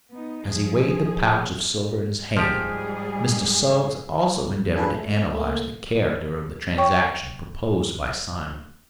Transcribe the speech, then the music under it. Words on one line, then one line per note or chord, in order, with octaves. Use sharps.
As he weighed the pouch of silver in his hand, Mr. Suggs also endeavored to analyze the character of the transaction proposed by Simon.
B3 D#4
F3 G#4
G#2 F3 G3 G4 G#4
D4 F4 G#4 A4 B4
A3
A3 A#3
C#5 G5 C#6